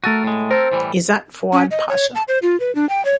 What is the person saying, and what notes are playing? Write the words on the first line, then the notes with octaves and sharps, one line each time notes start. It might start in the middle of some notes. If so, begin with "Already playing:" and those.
Izzat Fuad Pasha.
A3 F#4 A4 A#4 A6 D#7
A2 G#3
C4 A4 A#4 C5
A2 E3 G3
C#4
D#5
C#5
A5
C5
F4
B4
D4
G5
C#5